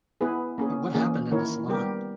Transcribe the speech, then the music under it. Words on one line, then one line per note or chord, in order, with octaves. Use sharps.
But what happened in the salon?
B3 E4 G#4 B4
A#3 C#4 G#4
E3 A#3 C#4 G#4
D#3 A#3 E4 A#4 C#5
G3 B3 G4 A#4